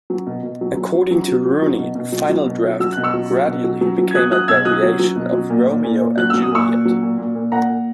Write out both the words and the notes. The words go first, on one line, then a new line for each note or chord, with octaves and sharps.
According to Rooney, the final draft gradually became a variation of "Romeo and Juliet".
F#3
B2
B2
F#3
F#3
F#3
F#3
F#3
F#3
F#3
B2
B2
F#3
F#3
B2
F#3
F#3 E6
B2 F#6
C#6 E6
F#3
F#3
B2
F#3
F#3
F#3
G#6
F#3 D#6 F#6
F#3 D#6 F#6
B2 E6 G#6
F#3 D#6 F#6
F#3
F#3
B2
F#3
A#2
A#2
A#2
A#2
F#3 F#6
F#3 E6
D#6
A#2 C#6 E6
A#2
F#3
A#2
A#2
A#2
A#2 F#5 A#5
A#2